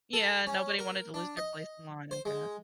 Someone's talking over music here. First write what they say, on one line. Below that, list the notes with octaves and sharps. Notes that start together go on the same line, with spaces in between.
Yeah. Nobody wanted to lose their place in line, I guess.
A4
C#4
A#4
D4
D#5
C5
G#3